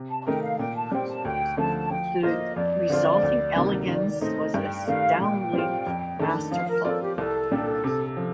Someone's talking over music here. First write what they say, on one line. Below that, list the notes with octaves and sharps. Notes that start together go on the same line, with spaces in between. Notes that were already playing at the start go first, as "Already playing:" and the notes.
The resulting elegance was astoundingly masterful.
Already playing: C3
A5
D#3 A3 D#4 A#4 G5
F5
A#2 G5
A5
G3 C4 G5
A5
D2 G5
D3 F3 A3 A5
F3 G5
A#3 F4 C5 D#5
F2 D5
D3 F3 C4 F4
D2
C3 D#3 G3 A#3
D#3 D5
A3 C4 D#4 D#5
G2 G5
D#3 A3 F5
A#2 G5
G3 C4 F4
F2
D#3 A3 D4 A4
F3 F5
A#4
C4 F4 A4 A#4 D5
G4
C2 A4
A#2 G3 D4 G4
C3
F3